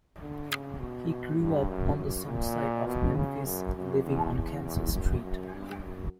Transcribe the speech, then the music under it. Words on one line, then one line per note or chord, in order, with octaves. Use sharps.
He grew up on the south side of Memphis, living on Kansas Street.
D3
C#3
B2
G2
F#2
F#2
A#2
B2
C#3
F#2
F#2
E2
E2
E2
F#2
F#2
G2
F#2